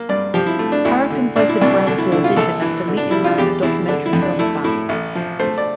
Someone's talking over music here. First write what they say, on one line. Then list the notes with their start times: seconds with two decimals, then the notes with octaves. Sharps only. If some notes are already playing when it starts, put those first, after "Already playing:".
Harrop invited Brown to audition after meeting her in a documentary film class.
Already playing: A#3
0.09 G2 D5
0.34 F3 G4
0.47 E4
0.59 A3
0.72 D4
0.85 D2 E4
1.10 D3
1.36 A#2 D4
1.49 E4
1.61 C2 D4
1.87 D3 D4
1.98 E4
2.12 D3 E4
2.24 F4
2.36 A#1 A4
2.62 E3
2.88 D3
2.97 D4
3.11 G3 E4
3.24 F4
3.38 E2 G4
3.63 E2 E4
3.88 D3 D4
4.06 E4
4.13 F2
4.22 D4
4.39 A3 E4
4.64 A2 E4
4.89 A1
5.15 F3
5.39 A3 C5
5.58 D5